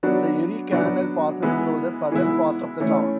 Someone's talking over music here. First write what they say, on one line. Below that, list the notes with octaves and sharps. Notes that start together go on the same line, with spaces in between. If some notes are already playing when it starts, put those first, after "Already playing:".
The Erie Canal passes through the southern part of the town.
F#3 B3 D4 F#4
F#3 B3 D4 F#4
E3 G#3 B3 E4
E3 G#3 B3 E4
E3 A3 C#4